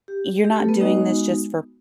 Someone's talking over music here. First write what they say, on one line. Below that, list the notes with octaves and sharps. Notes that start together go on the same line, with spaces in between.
"You're not doing this just for
G4
G4
A3 A4
B3 B4
G#3 B3 D#4 F#4 D#5